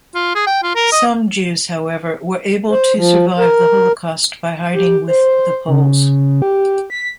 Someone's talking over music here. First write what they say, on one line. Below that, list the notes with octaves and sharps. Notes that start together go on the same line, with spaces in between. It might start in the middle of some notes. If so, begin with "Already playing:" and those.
Some Jews, however, were able to survive the Holocaust by hiding with the Poles.
F4
G#4
G5
F4
A#4
D#5
C5
F3
A#4
G4
C5
C#3
G4
B6